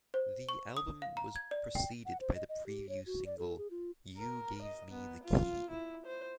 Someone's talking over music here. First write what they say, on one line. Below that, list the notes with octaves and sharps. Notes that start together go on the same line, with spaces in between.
The album was preceded by the preview single "You Gave Me the Key".
C5
C#6
D#6
F5
A#5
G#6
D5
G5
F#5
C5
D#5
D#5
G4
C#5
F#4
D5
A4
G#4
F4
A#4
D#5
B3
F4
E4
C5